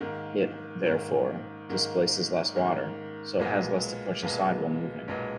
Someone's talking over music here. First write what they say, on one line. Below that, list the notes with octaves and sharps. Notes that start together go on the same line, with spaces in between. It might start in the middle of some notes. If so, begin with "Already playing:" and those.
It, therefore, displaces less water, so it has less to push aside while moving.
G#2 D#3 A#3
G#2 D#3 A#3
G#2 D#3 A#3
G#2 D#3 A#3
B1 A#2 G#3 B3
B1 A#2 G#3 B3
B1 A#2 G#3 B3